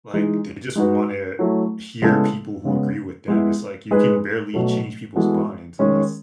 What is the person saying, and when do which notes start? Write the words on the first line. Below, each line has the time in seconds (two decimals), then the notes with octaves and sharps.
like, they just wanna hear people who agree with them, it's like you can barely change people's minds unless
0.13 E3 G#3 D#4 G#4
0.75 G#3 D#4 F#4 B4
1.39 F#3 A3 E4
2.02 C#3 G#3 B3 E4 A4
2.65 C#3 G#3 B3
3.28 G#3 B3 E4
3.91 G#3 D#4 G#4 B4
4.54 B2 F#3 A3
5.16 E3 G#3 B3 F#4 A4
5.79 D#3 G#3 C#4